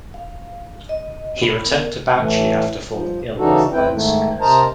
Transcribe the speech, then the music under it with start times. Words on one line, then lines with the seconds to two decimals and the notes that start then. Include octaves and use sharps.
He returned to Bauchi after falling ill with lung sickness.
0.14 F5
0.89 D#5
1.42 B3
1.68 A#4
2.16 A2 E3 A3
2.88 F3
3.38 C#3 E3 D4 D#4 F#4 A4
3.73 E2 C4 E4 B4 G5
3.91 G#2 D#3 A3
4.41 C3 A#4 C5 D#5 A5 A#5